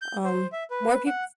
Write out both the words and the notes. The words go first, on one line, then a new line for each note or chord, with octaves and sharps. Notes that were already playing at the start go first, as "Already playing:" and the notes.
um, more peop
G6
C5
E5
B4
F#5